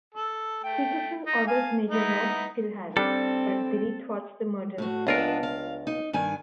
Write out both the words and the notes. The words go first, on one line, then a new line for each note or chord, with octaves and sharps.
Peterson orders Major Ross to kill Harry, but Billy thwarts the murder attempt.
A4
A3 G5
D#4
F5 G#5 A5
B3 D#4 E4
G3 C4 D4 A4
A2 F#4
C#2 B3 D4 E4 F4 A#4
F5
D#4
G2 D#3 G#5